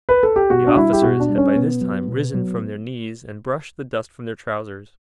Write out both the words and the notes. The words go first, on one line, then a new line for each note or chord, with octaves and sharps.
The officers had by this time risen from their knees and brushed the dust from their trousers.
B4
A4
G4
B2 F#4
D4
G3 E4
G4
B2 F#4
D4
G3
C#4
B2 B3
F#3
B2
F#3